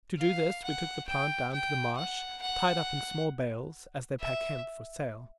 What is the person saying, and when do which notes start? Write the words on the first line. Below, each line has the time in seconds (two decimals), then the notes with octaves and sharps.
To do this we took the plant down to the marsh, tied up in small bales, as they pack hemp for sale.
0.19 F5
0.64 F#5
1.08 G5
1.53 G5
1.97 F#5
2.41 F#5
4.20 E5